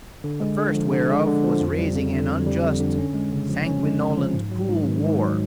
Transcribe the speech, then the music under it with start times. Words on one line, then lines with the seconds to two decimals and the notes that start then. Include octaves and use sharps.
The first whereof was raising an unjust, sanguinolent, cruel War.
0.24 D3
0.40 G#3
0.58 D3
0.75 F3
0.91 D3
1.09 G#3
1.27 D3
1.44 F3
1.61 F2
1.78 G3
1.95 F2
2.12 D3
2.29 F2
2.46 G3
2.63 F2
2.80 D3
2.98 C#4
3.14 G#3
3.33 C#3
3.49 F3
3.66 C#4
3.83 G#3
4.00 C#3
4.18 F3
4.34 G#2
4.51 F#3
4.69 G#2
4.87 D#3
5.03 G#2
5.20 F#3